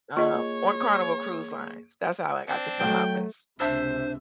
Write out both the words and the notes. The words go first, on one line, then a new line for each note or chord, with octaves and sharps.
uh, on Carnival Cruise Lines. That's how I got to Bahamas.
A#3 F4 G#4 C#5 D#5
C4 D4
F#3 A3 G5
C#2 C3 D4 C5 E5 A5 E6